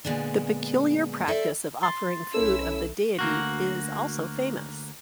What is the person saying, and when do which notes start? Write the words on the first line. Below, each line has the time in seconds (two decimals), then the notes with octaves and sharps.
The peculiar practice of offering food of the deity is also famous.
0.05 A#2 D3 G#3 B3 D4
1.28 A4 C5 D5 E5
1.83 C6 A6
2.34 B1 C#4 E4 A4 E6
3.19 D2 A#3 F#4